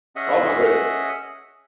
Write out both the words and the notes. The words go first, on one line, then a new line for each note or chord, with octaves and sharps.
Oh, my goodness.
C#4 G#4 D#5 E5 F#5 D#6